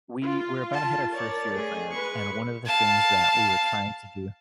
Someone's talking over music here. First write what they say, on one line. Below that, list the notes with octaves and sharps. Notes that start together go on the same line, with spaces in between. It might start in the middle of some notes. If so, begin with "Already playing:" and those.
we we're about to hit our first year of marriage, and one of the things that we were trying to do
F4
A5
A#4 C#5 D5 A5 A6
A3 G#4
G#3 B4 C#6
F5 A5